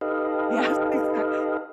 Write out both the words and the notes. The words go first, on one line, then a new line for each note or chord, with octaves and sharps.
Yes, exact
D#4 G4 A4 B4 D#5 F5